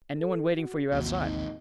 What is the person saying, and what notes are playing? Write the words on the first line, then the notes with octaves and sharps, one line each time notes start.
"And no one waiting for you outside?"
A4
F#4
A1 D#2 C3 F#4
D#4